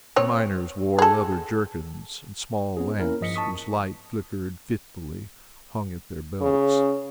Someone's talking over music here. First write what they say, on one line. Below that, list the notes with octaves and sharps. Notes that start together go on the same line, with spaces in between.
The miners wore leather jerkins, and small lamps, whose light flickered fitfully, hung at their belts.
C4 C#5
G#4 A4
B3 C#4 G#4
A#3 C#4 E4 A#4
G2 F3 D#5 B6 C#7
A5 C#6 D#6 B6
C#3